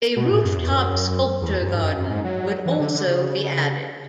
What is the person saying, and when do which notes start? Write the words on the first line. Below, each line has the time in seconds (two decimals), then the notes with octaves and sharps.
A rooftop sculpture garden would also be added.
0.16 B2
0.31 A2
0.44 F#2
0.58 E2
0.71 F#2
1.41 E2
1.61 F#2
1.74 G#2
1.82 F#2
1.97 F#2
2.10 G#2
2.24 F#3
2.66 E3
2.79 D3
2.94 D3
3.07 C#3